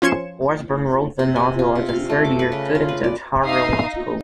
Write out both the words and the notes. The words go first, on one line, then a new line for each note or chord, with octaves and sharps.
Osborn wrote the novel as a third-year student at Harvard Law School.
F3 C#4 C6 G#6 C#7 E7
C3
G#5
F4
C3
F5
A3
D6
B4
C#3
F4
B4
D5
D#4 E5 F5 D#6 C7
D#4